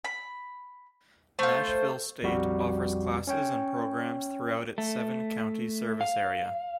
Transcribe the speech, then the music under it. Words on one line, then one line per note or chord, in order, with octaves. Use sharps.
Nashville State offers classes and programs throughout its seven county service area.
B5
A3 F4 C5
A#1 F2 G3 F#4
C#4 C#5 G5
A3
F5